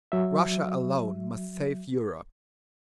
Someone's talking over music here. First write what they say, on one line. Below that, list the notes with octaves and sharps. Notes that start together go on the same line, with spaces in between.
Russia alone must save Europe.
F#3 E5